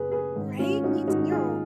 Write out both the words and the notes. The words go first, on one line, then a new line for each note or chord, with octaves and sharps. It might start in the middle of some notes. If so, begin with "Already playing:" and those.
Right? Me too.
Already playing: F#2 C#3 G#4 B4
G#4 B4
G#2 D#3
C#4 F4
D#4 F#4
G#2 D#3 D#4 F#4
F4 G#4